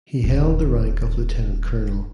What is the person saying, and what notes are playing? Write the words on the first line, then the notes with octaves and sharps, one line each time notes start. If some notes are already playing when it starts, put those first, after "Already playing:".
He held the rank of Lieutenant Colonel.
D#1 C3